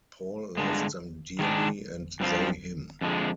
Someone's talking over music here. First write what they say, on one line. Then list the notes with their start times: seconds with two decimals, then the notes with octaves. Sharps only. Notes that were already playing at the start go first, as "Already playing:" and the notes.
Paul loved them dearly, and they him.
0.57 G2 D3 G#3
1.39 D#3 G#3 D4
2.20 G2 F3 C4 F4
3.01 F2 D3 F3 G#3